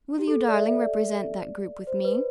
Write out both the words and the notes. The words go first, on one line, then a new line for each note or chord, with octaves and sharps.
"Will you, darling, represent that group with me?"
G4
A4
D5
E5
D5
C5
B4